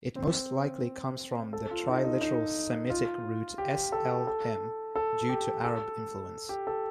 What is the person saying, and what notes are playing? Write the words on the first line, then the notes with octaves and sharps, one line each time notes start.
It most likely comes from the triliteral Semitic root S-L-M, due to Arab influence.
C4
A4
F4
D#4
D#4
D#4
F4
G4
A4
A4
A4
G4
A4
G4
A4